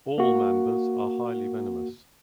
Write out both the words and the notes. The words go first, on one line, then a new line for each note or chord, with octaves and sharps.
All mambas are highly venomous.
A#3 F#4